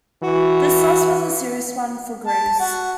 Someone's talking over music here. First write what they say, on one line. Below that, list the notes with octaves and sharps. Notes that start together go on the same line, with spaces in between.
This loss was a serious one for Greece.
E3 F#4
A5
F#4